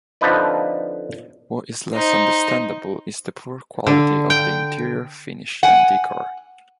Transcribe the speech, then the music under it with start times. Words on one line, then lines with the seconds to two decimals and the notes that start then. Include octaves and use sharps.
What is less understandable is the poor quality of the interior finish and decor.
0.21 D3 F3 C4 D#4 B4 D5
1.94 D#4 C5
3.87 D3
4.30 G5
5.63 F#5 G#5